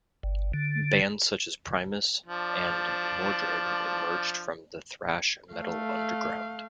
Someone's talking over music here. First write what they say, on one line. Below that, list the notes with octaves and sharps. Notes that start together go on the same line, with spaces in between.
Bands such as Primus and Mordred emerged from the thrash metal underground.
G1
D3
F3 D4
A3 F5